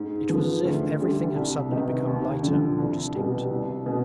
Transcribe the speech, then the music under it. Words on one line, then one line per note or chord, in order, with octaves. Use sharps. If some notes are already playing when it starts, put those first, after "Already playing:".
It was as if everything had suddenly become lighter and more distinct.
Already playing: G#2
F3 B3
D2
D3 G3
C2
C3 D#3 B3 D#4
D#2
D3
F3
C2
B2 G3
C2
B2